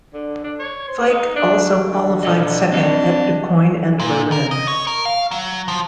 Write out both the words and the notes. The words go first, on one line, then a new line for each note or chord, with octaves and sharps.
Fike also qualified second at DuQuoin and Berlin.
D3
D4
C#5
C5
D#4
D4
D3
B2 A4 D#5
C4 D4 D#5
A#2
A#4
D#5
C#5
A#4
F5
F#3
F3